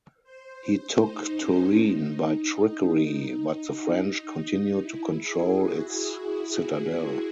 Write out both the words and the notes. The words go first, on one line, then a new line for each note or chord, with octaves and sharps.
He took Turin by trickery, but the French continued to control its citadel.
C5
D#4
C#4
D#4
E4
G#4
F#4